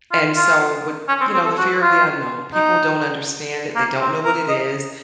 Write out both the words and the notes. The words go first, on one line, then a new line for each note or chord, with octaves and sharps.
And so, with you know, the fear of the unknown, people don't understand it, they don't know what it is.
F4
F4
C#4
C4
C4
A4
F#4
F4
D#4
A#3
C4
A#4
D#5